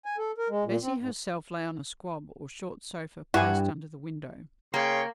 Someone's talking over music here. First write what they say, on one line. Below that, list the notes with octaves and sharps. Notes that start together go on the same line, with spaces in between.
Bessy herself lay on a squab, or short sofa, placed under the window.
G#5
A4
A#4
G#3
A#2
C4
G#2
G2 E4 F#4 G4 G#5
C#3 A#3 C#5 G5 C6